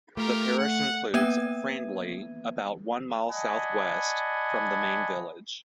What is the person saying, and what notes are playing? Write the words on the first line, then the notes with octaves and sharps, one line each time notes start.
The parish includes Frandley about one mile south west from the main village.
A3 F4 G4 A#4
F#5
A#3 B3 B4 E5 G#6 D#7
D5 D#5 F#5 G#5 A5 B5